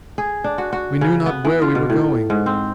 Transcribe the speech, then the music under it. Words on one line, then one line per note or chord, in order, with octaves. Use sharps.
We knew not where we were going.
G#4
D4
F#4
F#4
C#3
B3
E3
F4
B2
A2
G#2
C4